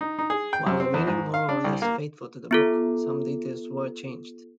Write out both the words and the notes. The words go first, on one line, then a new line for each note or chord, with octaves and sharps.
While remaining more or less faithful to the book, some details were changed.
D#4
D#4
G#4
G5
F#2
C4
E2
G#2
F5
D4
C2
A#3
B3 F4 A4